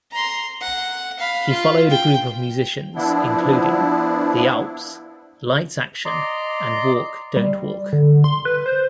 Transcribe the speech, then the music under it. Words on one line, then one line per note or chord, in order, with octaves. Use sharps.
He followed a group of musicians including; The Alps, Lights Action, and Walk.Dontwalk.
A#5 C6
F#5
F5 B5
F4
G5
F3 B3 D4 E4
D5 D#5 A#5 C6
G3
D3
C6
B4
C5